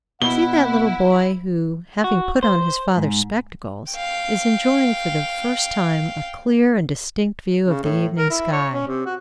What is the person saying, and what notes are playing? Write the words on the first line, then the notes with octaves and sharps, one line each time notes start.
See that little boy, who, having put on his father's spectacles, is enjoying for the first time a clear and distinct view of the evening sky.
B2 E4 F#5 G7
F#4
C5
G#2
F5 G5
C#3
A2
A#4
E4
C#5
C#4
C3
F#4